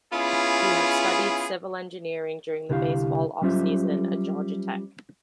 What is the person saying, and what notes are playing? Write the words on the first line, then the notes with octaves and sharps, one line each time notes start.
He has studied civil engineering during the baseball off-season at Georgia Tech.
B3 C#4 E4 F4 G#4
C2 D3 E4 G4 F5
F#3 G3 C#4 F4 C5 E5